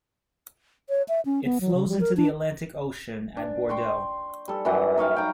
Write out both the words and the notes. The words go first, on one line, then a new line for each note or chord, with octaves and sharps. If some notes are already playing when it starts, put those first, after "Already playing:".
It flows into the Atlantic Ocean at Bordeaux.
C#5
E5
C#4
B3
F#3
C#3
G3
A#4
D4
D4
G5 C6 C#6
G3 A4
F#2 E3 G3 F#5
D#4 C#5 F5 G5
G5 A#5